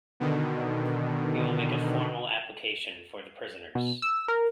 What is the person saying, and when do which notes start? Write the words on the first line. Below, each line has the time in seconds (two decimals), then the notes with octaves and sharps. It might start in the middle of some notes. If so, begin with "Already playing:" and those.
We will make a formal application for the prisoners.
0.20 B2 D3 D#3
3.75 B2
4.02 E6
4.28 A#4